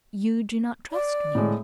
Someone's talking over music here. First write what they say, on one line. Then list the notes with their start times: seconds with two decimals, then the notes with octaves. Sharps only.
"You do not trust me?"
0.92 D5
1.35 A2 G#3